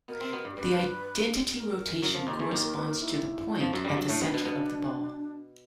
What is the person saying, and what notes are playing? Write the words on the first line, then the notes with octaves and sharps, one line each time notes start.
The identity rotation corresponds to the point at the center of the ball.
B2 B3 A#4
C3 C4
B2 B3
G2 G3
G2 G3 B4
A#4
F#2 F#3
F2 F3
D#2 D#3
E2 E3 A4
D#2 D#3 A#4
A#4
B4
A#4
E4
F2 F3
F#2 F#3
G2 G3
F#2 F#3 D4
A2 A3
B2 B3
B2 B3
B2 B3